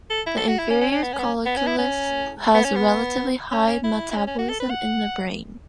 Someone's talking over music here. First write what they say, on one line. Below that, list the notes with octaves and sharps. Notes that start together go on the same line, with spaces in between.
The inferior colliculus has a relatively high metabolism in the brain.
A4
E4
A4
F#4
E4
C#4
C#4
C#4
B3
C#4
B3
C#4
B3
C#4
E4
C#4
B3
C#4
B3
C#4
C#4
E4
E4
C#4
C#4
F#4
A4
B4
F#5